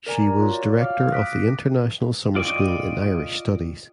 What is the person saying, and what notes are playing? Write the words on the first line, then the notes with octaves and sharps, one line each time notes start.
She was director of the International Summer School in Irish Studies.
A#4 D5 G#5 A#5
F4 C#5
F#4 D5
F5 D6 F6
D6 D#6 F#6 A#6 B6 D7
F4 D5 D#5 G5 C#6